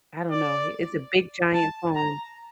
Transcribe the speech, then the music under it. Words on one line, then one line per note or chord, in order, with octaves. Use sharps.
I don't know h it's a big giant phone.
D5
A5
A#5